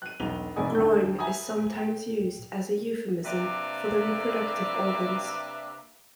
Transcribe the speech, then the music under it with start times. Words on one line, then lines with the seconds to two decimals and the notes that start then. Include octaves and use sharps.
'Groin' is sometimes used as a euphemism for the reproductive organs.
0.02 F#6 D#7
0.20 E1 B1 F7 G7
0.56 F1 G#2 A3 D5 G#5 D#6
0.75 D#2 D3 G6
1.19 E5 G#5 A#5 B5 D#6
1.77 G5
3.25 C3 A#3 D4 B4 D5 E5